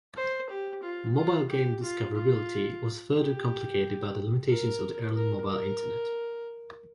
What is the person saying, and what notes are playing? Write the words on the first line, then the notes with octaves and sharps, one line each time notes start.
Mobile game discoverability was further complicated by the limitations of the early mobile internet.
C5
G4
F4
F4
G4
F4
F4
G4
A#4
A#4
A#4